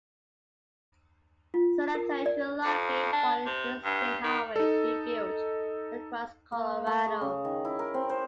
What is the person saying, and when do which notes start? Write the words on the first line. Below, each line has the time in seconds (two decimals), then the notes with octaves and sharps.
Senator who lobbied for an Interstate Highway to be built across Colorado.
1.54 F4
1.95 A#4
2.26 D5
2.64 F2
3.12 D4
3.46 C3
3.84 G2
4.24 D#3
4.56 D#4 A4
6.52 A#3
6.87 A3
7.06 G#4
7.21 C#3
7.45 D#3
7.65 E4
7.79 A#4
7.94 C4
8.09 C5